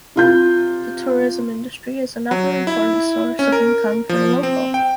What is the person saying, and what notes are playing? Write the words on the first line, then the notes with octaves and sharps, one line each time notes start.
The tourism industry is another important source of income for the local.
C3 F4 G6
F#3
E4
C#4
A#4
F3
C4
G5